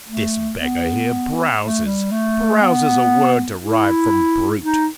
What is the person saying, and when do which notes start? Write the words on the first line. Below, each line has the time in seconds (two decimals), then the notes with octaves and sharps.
This beggar here browses: browses, a word derived from brute.
0.08 A3
0.59 B3
1.60 A3
1.86 G3
2.11 A3
2.61 B3
3.62 E4
4.64 D#4